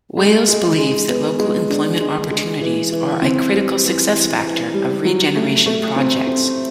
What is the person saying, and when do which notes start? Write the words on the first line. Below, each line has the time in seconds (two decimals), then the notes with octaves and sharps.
Wales believes that local employment opportunities are a critical success factor of regeneration projects.
0.17 G#3
0.48 G#3
0.78 G#3
1.09 B3
1.39 G#3
1.70 D4
2.00 G#3
2.31 G#3
2.61 E3
2.92 E3
3.22 C4
3.52 G3
3.84 E3
4.13 E3
4.44 E3
4.74 G3
5.05 F#3
5.35 A3
5.66 A3
5.96 C4
6.27 C4